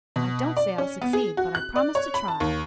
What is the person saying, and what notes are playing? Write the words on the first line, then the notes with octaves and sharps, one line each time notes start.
I don't say I'll succeed, but I promise to try.
B2
D5
C#4
B3
G#4
F#4
F#6
D5
C#5
B5
A5
D#2